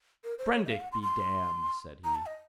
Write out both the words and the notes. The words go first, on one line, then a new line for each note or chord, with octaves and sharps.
"Prendick be damned!" said he.
A#4
C5
C#5
D#5
F5
F#5
C6
C6
A#5
A5
D#5